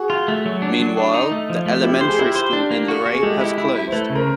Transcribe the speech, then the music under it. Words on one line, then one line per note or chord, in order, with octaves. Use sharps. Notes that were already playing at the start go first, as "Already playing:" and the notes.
Meanwhile, the elementary school in Luray has closed.
Already playing: F#4 G#4
F4
A3
F#3
D4
F#3
D4
D#4
A3
F3
A3
E4 F4 G4
C5
G#4
E4 F4 G4
C5
D4
A#3
F#4
F#4
G#4
G#3 G4 A4
E4
E4
E4
C5
A3 A4 B4
C#3
A#4 C5